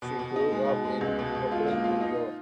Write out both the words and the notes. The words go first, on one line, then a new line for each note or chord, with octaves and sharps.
She grew up in Brooklyn, New York.
B2
B2
D#4
G#3
B2
G#3
C#2
B2
B2
F4
A#3
F4
D#4